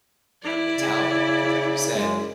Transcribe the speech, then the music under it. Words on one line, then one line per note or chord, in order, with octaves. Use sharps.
you know, mentality because like you said,
E4 D5
C#3
F#2 G#3